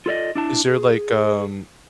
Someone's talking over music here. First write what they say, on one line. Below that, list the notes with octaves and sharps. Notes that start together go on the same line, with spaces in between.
is there like, um,
F4 A4 D5 D#5
D4 E4 A5
G#4